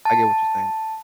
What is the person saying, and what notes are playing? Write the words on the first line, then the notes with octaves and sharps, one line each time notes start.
I get what you're saying.
A5